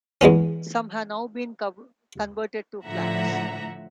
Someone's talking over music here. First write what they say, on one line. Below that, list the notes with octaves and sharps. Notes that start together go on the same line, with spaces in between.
Some have now been converted to flats.
E2 G#3 B3 C#4
A2 D3 F3 E5 F#5 A#5